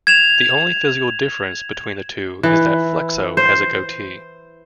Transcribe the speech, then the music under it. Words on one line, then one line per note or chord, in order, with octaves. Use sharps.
The only physical difference between the two is that Flexo has a goatee.
G#6 E7 F7
E3
C5